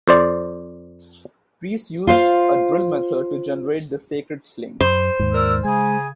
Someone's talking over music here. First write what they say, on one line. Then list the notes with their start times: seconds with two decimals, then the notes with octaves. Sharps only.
Priests used a drill method to generate this sacred flame.
0.08 F2 C5 D5
2.07 F4 C5 F5
4.81 F#2 C5
5.19 D#2 G#2
5.33 A#4 D5 E6
5.64 C#3 G#3 G#5